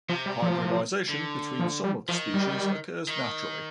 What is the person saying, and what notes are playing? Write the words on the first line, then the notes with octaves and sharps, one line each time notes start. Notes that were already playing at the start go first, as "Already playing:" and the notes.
Hybridization between some of the species occurs naturally.
C3 F3
G3
F3
D3
F3
G3
D#3 F3
G3
D#3